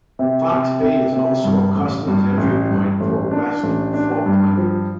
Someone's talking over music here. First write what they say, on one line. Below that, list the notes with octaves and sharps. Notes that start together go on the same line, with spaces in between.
Fox Bay is also a customs entry point for West Falkland.
C3
C3
C3
C3
G2
A1
G2
A1
G2
A1
D4
A1
D4
G2
F3